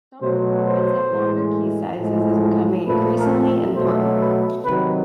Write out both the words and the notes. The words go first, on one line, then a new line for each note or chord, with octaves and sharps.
Some performance at longer key sizes is becoming increasingly important.
B2 F#3 A3 C5
C5
A2 E3 G#3
A2 F3 G#3
A#2 F3 A3 B4
A#4
B2 F#3 A3 C5
B4
C3 D#3 F#3 B4